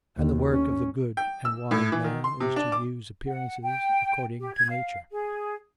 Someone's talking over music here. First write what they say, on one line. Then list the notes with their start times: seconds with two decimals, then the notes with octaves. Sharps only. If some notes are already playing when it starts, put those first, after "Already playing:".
And the work of the good and wise man is to use appearances according to Nature.
0.17 D#2
0.52 C#4
1.17 G5
1.45 E6
1.71 A2
1.92 E3
2.04 D#3
2.24 C6
2.40 C3
2.56 D4
2.72 D6
3.27 F#5
3.63 G5
4.39 G4
4.54 G#6
4.70 F5
5.11 G#4